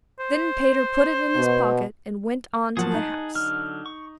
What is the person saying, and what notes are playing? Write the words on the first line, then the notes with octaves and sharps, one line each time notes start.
Then Peter put it in his pocket and went on to the house.
C5
B2
F3 F#3 A#3 G#4 F#5 A5
D#4
D3 F#3 F6
C#6